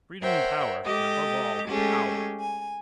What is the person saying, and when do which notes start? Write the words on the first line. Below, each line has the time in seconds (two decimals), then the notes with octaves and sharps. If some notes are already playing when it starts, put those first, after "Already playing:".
Freedom and power, and above all, power!
0.23 A#4 C5 C#5 E5 F#5 G5
0.86 G#3 G4 A4 D#5 D6
1.69 G#3 A3 C#4 G4 G#4
2.40 G#5